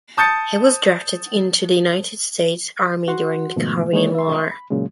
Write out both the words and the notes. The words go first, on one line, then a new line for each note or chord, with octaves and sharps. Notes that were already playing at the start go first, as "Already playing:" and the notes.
He was drafted into the United States Army during the Korean War.
A5 D#6 G6 A6 C#7
F#4 F#5 C6
G#2 B2 D#3 F3 A3
D#3 G#3 A#3 D#4 C#5
E5 C6
B5
A#2 C#3 F#3 G#3